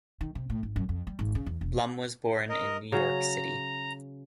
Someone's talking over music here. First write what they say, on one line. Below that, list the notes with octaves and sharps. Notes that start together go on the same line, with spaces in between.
Blum was born in New York City.
D#3
C3
A2
G#1
F#2
F2
G3
G#1
C#3
E2
E1
A#4 D#5
C#3 F#3 A#5